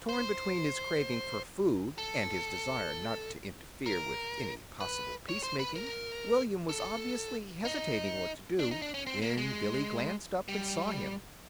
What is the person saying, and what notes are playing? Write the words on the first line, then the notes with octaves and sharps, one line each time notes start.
Torn between his craving for food and his desire not to interfere with any possible peace-making, William was obviously hesitating what to do, when Billy glanced up and saw him.
C5
A4
A#4
B4
C#5
C5
B4
A#4
A4
D#4
D4
D#4
D4
C#4
C4
A#3
G#3
G3